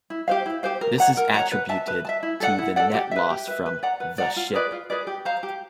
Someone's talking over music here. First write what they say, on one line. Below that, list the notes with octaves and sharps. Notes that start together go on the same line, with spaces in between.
This is attributed to the net loss from "The Ship".
E4
G4 C5 F5
E4
G4 C5 F5
A#4
C#5 F#5 A#5
A#4
C#5 F#5 A#5
B4
E5 A5
B4
E5 A5
E4
A4 D5 F#5
E4
A4 D5 F#5
G4
B4 E5
G4
B4 E5
B4
D5 F#5 A#5
B4
D5 F#5 A#5
F4
G#4 B4 D5
F4
G#4 B4 D5
G4
C5 F5 A#5
G4